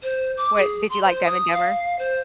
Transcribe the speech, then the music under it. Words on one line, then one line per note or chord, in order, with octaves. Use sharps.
What did you like Dumb and Dumber?
C5
D6
G#4
C6
C5
D#6
F5
C5